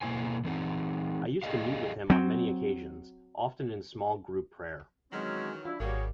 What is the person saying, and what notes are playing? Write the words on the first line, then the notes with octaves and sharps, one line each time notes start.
I used to meet with him on many occasions, often in small group prayer.
B2 A#3 E4 C5 G#5
E3 C4 D#4
G4 G#4 D5 D#5 F5
F#3 C4
D#3 E3 F#3 G#3 C4 C#4
D4 E4 F4
G#1 G3 A#3 F#4 G#4 C#5